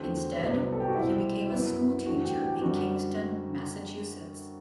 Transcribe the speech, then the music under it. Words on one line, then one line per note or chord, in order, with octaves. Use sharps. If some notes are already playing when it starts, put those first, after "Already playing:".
Instead, he became a school teacher in Kingston, Massachusetts.
Already playing: E2 D3 A3 C4 F#4
C2 C3 F#3 B3
A4
G4
F#4
C2 B2 G3 C4 E4
F#2 F#3 B3 E4
G2 E3 A3 C4 F#4
G4
G4
G4
F#2 D3 G3 C4 F#4